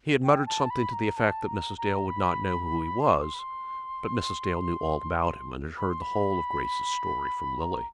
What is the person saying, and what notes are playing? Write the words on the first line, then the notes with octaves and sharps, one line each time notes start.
He had muttered something to the effect that Mrs. Dale would not know who he was; but Mrs. Dale knew all about him, and had heard the whole of Grace's story from Lily.
G5
A5
B5
A#5
A5
A#5
A#5
B5
C6
D6
C6
B5
C6
B5
C6
B5
A#5